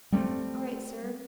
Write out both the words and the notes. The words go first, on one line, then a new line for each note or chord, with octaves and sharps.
'All right, Sir.
G3 A3 B3 C4